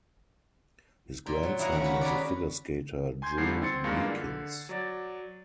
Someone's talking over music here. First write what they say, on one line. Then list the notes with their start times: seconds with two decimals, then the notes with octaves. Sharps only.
His grandson was the figure skater Drew Meekins.
1.26 A#2
1.43 F#3
1.59 E4 F#4 A#4 D#5 F5 F#5
1.72 D#3 C#4
1.84 D#4 F#4 B4
2.01 B3 C#4 G#4 A#4 B4 D5
3.22 G#5 C6 G6 G#6
3.37 E2 D3 F3 G3 C7
3.62 C4 C6 A6 C#7
3.84 G2 E3 G#3 A#3 D4 F4
4.10 D3
4.69 F#3 D5 A6